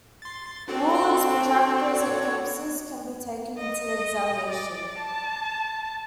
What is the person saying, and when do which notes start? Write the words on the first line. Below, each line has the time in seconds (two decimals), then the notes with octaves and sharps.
Rulers, protractors and compasses can be taken into the examination.
0.22 C6 A6
0.68 C4 D4 F#4 A4
1.99 C#5
3.58 D#5
4.48 D5
4.98 A5